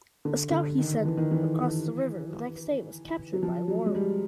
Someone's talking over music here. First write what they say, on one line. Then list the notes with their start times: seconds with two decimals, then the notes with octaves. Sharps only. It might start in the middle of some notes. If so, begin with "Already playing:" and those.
A scout he sent across the river the next day was captured by Lorimier.
0.25 D3
0.51 D3
0.78 D#3
1.05 E3
1.17 D#3
1.31 E3
3.33 F#3
3.43 F3
3.68 F#3
3.86 G#3
3.95 G3